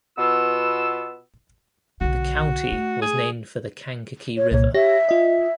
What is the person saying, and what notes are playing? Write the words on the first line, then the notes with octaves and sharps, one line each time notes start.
The County was named for the Kankakee River.
B2 B3 F4 E6
B1 D3 F#4
A3
G#4
C#5
C2 A#2 C#5
G4 C#5 E5 A#6
F4 D#5